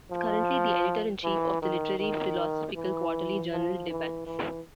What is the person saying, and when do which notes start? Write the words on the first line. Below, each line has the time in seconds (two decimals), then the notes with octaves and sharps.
He is currently the Editor-in-chief of the literary-philosophical quarterly journal "Debats".
0.11 F3
1.24 E3
1.62 D#3
1.99 D#3
2.76 E3
3.52 F3
3.90 E3
4.26 E3